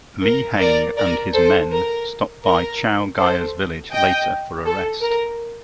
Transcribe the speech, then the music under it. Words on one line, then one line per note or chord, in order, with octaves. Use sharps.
Lei Heng and his men stop by Chao Gai's village later for a rest.
A#4
A#4 D5
A#4 D5
A4 C5
A#4
A#4
A4 C5
D#5 G5
A4
A#4